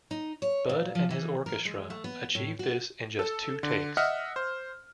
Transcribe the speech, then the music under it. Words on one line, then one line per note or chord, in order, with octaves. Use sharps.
Budd and his orchestra achieved this in just two takes.
D#4
C#5
A#2
F3
E3
A#4
G#3
A3
B3
A2
F#4
A4
D3
D#5 E5 F#5 F6
C5